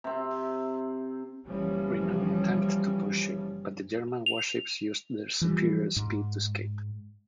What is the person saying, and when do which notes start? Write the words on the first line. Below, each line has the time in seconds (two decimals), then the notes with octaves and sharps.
"Renown" attempted to pursue, but the German warships used their superior speed to escape.
0.04 C3 C4
1.47 F#1 E3 F3 G3 C#4
4.26 F7
5.41 E3 F3 G3
5.96 G#2